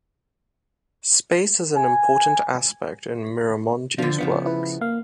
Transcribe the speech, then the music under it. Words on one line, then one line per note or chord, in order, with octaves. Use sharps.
Space is an important aspect in Miramontes’ works.
G#5
D3 F3 D4
C#3 F3 B3
E4 B4
A#3 F5